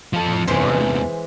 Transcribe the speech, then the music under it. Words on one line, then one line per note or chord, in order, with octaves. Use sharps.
"On guard?"
F3 A4
E2 C3 E3 G#3 C5